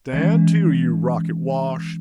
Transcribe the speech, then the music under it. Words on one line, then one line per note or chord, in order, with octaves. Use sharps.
"Stand to, you rocket wash!"
D#3 E3 G#3 C#4